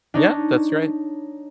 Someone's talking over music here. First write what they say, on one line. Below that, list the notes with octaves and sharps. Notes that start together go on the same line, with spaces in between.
Yeah, that's right.
D4 D#4 C#5